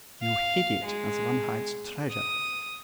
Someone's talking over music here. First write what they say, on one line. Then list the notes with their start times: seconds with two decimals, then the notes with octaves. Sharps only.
You hid it as one hides treasure.
0.22 F5
0.85 G#3
2.11 D#6